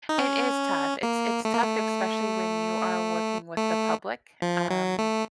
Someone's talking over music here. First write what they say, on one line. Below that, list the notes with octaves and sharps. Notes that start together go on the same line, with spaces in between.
It is tough, it's it's tough, especially when you are working with the public. Um,
D#4
C#4
A#3
A3
A#3
A3
A3
F3
F#3
A3